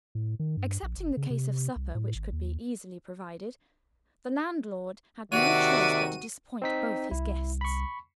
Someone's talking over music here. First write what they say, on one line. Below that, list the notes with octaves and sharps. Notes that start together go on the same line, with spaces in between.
Excepting the case of supper, which could be easily provided, the landlord had no choice but to disappoint both his guests.
A2
D#3
G2
A#1
F#1
C#3
C3
C2
A2
G#1
D#2
D#2 C3 D#3 F#4 D5 E5 F#5 D#7
C4 D#4 B6
C2 E4
B5 C#6